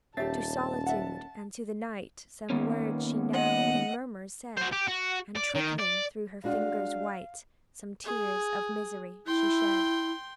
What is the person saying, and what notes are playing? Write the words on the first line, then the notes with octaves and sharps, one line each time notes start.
To solitude and to the night, Some words she now, in murmurs, said; And trickling through her fingers white, Some tears of misery she shed.
D#1 C#4 G4 E5 A5 A6
E5 F#5
D#3 A#3 B3 C#4
D#5 F#5
F#4 C5
G4
F#4
D5
D#3
D5
G#3 D4 F#4 F5
G#4
E4 G5 C6